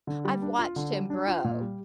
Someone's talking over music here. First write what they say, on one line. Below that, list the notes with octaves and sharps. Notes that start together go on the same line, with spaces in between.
I've watched him grow,
D3
G3
D4
F4
D3
G3
D4
F4
A#2
G3